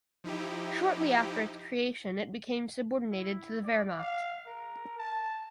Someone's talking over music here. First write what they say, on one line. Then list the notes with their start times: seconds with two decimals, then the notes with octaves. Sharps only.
Shortly after its creation it became subordinated to the Wehrmacht.
0.24 F3 D#4 E4 G4
3.10 E4
3.64 D5
3.98 F5
4.46 A#4
4.98 A5